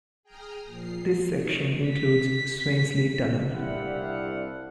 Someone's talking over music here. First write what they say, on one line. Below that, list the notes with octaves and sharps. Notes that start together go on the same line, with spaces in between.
This section includes Swainsley tunnel.
G#4 G5 A#5 D#6 F6
A#2 F3 C7
F#3 D#4 C#5
B6
C2 C4 D4 E4 F5 F#5